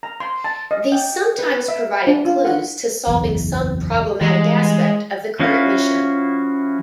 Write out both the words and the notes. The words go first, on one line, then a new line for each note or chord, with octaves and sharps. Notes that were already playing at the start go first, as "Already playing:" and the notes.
These sometimes provided clues to solving some problematic aspect of the current mission.
A#5
C6
A5
D#5
G5
B4
E5
D4
F4
F#5
F#1 B1 E2
E3 G3 G#3
F3 C#4 E4 F#4 F5